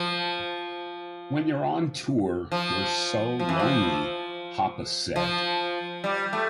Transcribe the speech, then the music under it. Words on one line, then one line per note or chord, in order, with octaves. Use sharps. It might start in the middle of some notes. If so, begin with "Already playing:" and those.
"When you're on tour, you're so lonely," Hoppus said.
Already playing: F3
F3
F3
E3
F3
F3
G3
A3